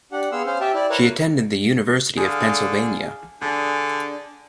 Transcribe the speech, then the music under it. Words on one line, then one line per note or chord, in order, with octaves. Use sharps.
She attended the University of Pennsylvania.
D4 G4 F#5
B3 G#4 F5 C6 E6
C#4 C5 F5
G4 E5 G5 A5
E4 D5
A#4 B4 C#5
D3 G#4 F5
D3 D4 G#4